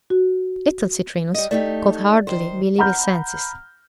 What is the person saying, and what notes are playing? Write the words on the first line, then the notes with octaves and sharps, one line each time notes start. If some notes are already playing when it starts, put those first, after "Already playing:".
Little Citrinus could hardly believe his senses.
F#4
G3 D#5
A3 D#4 G4 D5
D#3 C5
F#5 A#5 B5 F6 G6